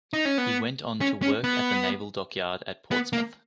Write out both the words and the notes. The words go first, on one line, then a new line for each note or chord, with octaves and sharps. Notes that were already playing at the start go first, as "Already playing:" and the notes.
He went on to work at the Naval Dockyard at Portsmouth.
D#4
C#4
B3
C#4
C#4
B3
B3
A#3